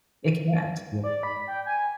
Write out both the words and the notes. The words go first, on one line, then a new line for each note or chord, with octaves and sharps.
It can't.
G#2
D5
B5
G5
G#5